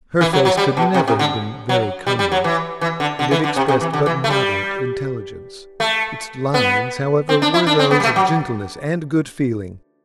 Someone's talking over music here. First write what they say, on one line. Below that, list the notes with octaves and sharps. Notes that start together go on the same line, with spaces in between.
Her face could never have been very comely, and it expressed but moderate intelligence; its lines, however, were those of gentleness and good feeling.
E3
F#3
F#3
G3
B2
C3
C3
D3
F#3
G3
G3
F#3
E3
E3
D3
D3
E3
D3
C3
C3
E3
D3
E3
A3
G3
A3
B3
C4
D4
E4
D4
C4
B3
G3
A3
F#3